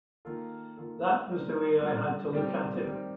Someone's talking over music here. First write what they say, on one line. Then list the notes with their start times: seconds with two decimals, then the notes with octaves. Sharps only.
That was the way I had to look at it.
0.25 D#3 A#3 F4 A4
0.77 D#3 A#3 F4 A4
1.28 G3 D4 F4 A#4
1.79 G3 D4 F4 A#4
2.32 D#3 G3 C4 G4
2.83 D#3 G3 C4 G4